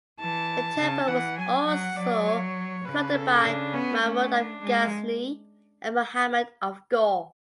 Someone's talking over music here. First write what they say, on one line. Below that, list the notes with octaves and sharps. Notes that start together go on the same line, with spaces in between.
The temple was also plundered by Mahmud of Ghazni and Muhammad of Ghor.
E3 A5
C#3
E3 F#5
F#3 G#5
F#3 F#5
F#3 D5
C#5
C#3 B4
A4
C#3 D4
B3 C#4
A3 C#4
D4
G#3